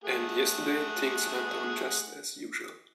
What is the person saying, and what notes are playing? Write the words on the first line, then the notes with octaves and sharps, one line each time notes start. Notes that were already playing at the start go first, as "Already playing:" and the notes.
And yesterday things went on just as usual.
A3 G#4 F#5